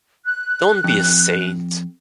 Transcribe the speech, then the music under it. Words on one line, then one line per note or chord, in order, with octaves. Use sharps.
Don’t be a saint.
F#6
F2